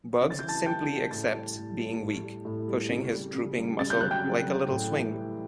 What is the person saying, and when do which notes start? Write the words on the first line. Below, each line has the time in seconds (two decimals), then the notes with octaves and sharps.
Bugs simply accepts being weak, pushing his drooping muscle like a little swing.
0.21 C#3
0.30 A6
0.39 G6
0.43 E3
0.48 A5 A6
0.66 G3 G5 G6
0.88 C#3
1.11 A2 A5 A6
1.33 G3
1.55 A2
1.78 G3
2.00 A2
2.23 G3
2.45 A2
2.68 G3
2.89 C#3
3.13 G3
3.35 C#3
3.57 G3
3.79 C#3 A6
3.90 G6
4.01 F#3 F#6
4.11 G5 G6
4.24 C#3
4.47 F#3
4.68 A2
4.91 E3
5.13 G3